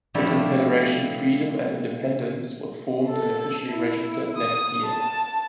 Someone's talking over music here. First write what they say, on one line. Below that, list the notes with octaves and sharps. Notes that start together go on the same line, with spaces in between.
The Confederation Freedom and Independence was formed and officially registered next year.
F3 G3 A3 D4 E4
A4
E4
D#6
A5